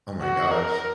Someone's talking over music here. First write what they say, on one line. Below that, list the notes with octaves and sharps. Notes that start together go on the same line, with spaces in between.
Oh my gosh.
F#4
A#4